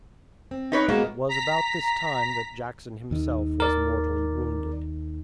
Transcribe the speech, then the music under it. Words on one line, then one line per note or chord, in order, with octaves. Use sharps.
It was about this time that Jackson himself was mortally wounded.
C4
D#4 B4 C#5
G#3 A#3 B3 F#4
A#5 B6
D#2 D#3
A#4 D5